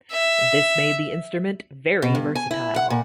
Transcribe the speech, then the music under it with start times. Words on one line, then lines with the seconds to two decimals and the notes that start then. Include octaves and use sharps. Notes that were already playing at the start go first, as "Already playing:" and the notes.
This made the instrument very versatile.
0.11 E5
2.02 B2
2.15 G2
2.35 G#5
2.51 E4
2.76 F#5
2.90 A#2